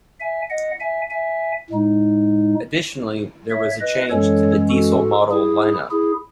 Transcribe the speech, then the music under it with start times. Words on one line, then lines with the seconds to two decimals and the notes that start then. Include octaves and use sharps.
Additionally there was a change to the diesel model lineup.
0.20 E5 G#5
0.50 D#5 F#5
0.80 E5 G#5
1.10 E5 G#5
1.70 A2 G#3 D#4
3.50 C#5 E5
3.80 B4 D#5
4.10 F#2 E3 G#3 C#4 A4 C#5
4.70 F#4 A4
5.30 E4 G#4
5.90 E4 G#4